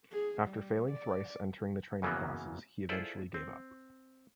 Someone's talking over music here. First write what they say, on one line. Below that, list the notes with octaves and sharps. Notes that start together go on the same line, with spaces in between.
After failing thrice entering the training classes, he eventually gave up.
G#4
G3
D5
F#2 C#3 E3 F#3 A#3 B3
E4 F4 G#4 A4 C5 D5
C4